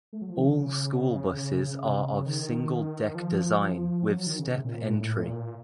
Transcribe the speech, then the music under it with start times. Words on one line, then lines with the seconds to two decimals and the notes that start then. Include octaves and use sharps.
All school buses are of single deck design with step entry.
0.13 A3
0.22 F#3
0.30 F3
0.38 D#3
0.47 C#3
1.36 C#3
1.66 C#3
1.85 C3
1.96 C#3
2.26 D#3
3.15 F3
4.05 F#3
4.26 D#3
4.39 C#3
4.52 C3
4.64 A#2
4.94 A2
5.23 A#2